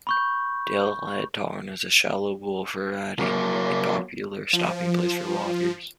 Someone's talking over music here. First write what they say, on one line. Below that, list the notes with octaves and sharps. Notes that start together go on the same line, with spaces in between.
Dalehead Tarn is a shallow pool providing a popular stopping place for walkers.
B5 C#6 G6
F#3 A#3
F3